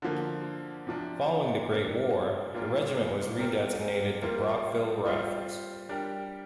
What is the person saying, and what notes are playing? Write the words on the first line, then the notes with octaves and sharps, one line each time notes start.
Following the Great War, the regiment was redisgnated The Brockville Rifles.
D3 F3 A#3
C3 F3 D4
G3 A#3 D4 A#4
A#2 G3 A#3 F4 A#4
C3 G3 C4 A#4
G3 A#3 F4 A#4
G3 C4 F4
G3 D4 G4 A#4